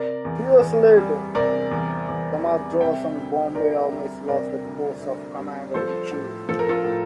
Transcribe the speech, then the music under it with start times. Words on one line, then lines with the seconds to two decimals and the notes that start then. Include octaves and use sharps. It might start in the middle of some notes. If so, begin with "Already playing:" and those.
Two years later the Madras and Bombay Armies lost their posts of Commander-in-Chief.
Already playing: C3 A#4 D5
0.25 E2
0.61 E2
0.97 G3
1.34 C3 A#4 D5
1.71 E2
2.09 E2
2.44 G3
2.81 C3 E5 G5
3.17 D2
3.54 D2 A#4 D5
3.92 G3
4.28 C3 A#4 D5
4.65 D2
5.01 D2
5.38 G3
5.74 F3 A4 C5
6.11 A2
6.48 F3 A4
6.59 A#4
6.69 F4 A4
6.84 A2